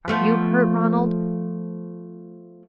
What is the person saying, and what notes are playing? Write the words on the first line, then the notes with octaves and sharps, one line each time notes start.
Are you hurt, Ronald?
F3 A3 B3